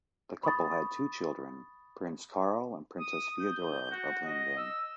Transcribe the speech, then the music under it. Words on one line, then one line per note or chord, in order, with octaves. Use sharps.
The couple had two children, Prince Carl and Princess Feodora of Leiningen.
B5 C#6 D#6 A6
D#6
G6
F#4
D#5
E6